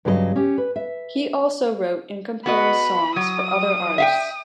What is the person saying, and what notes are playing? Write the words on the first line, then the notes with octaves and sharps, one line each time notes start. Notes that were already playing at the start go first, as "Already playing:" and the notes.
He also wrote and composed songs for other artists.
G2 C#3 F#3 A#4 D#5
C#4 G4
B4
E5
B3 F#4 D#5 B5
F#3 D#6
E5 F5 G5